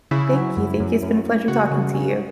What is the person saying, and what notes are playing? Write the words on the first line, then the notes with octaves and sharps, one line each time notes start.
Thank you, thank you. It's been a pleasure talking to you.
C#3 E4
F#3
F#2
F#2
F#2
F#2
C#3 F#4
C#3
C#3